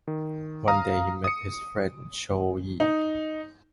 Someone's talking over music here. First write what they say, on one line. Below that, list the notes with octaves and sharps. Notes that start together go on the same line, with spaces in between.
One day he met his friend Cho Yee.
D#3
F5 A#5 D#6
D#6 C#7
D#4